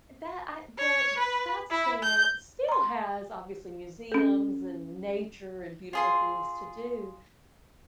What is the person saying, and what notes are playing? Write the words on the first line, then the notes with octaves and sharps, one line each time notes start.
that I the Scottsdale still has obviously museums and nature and beautiful things to do.
C#5
B4
E4
G6
A#5 C6
C#4 A4
F4 G#4 C6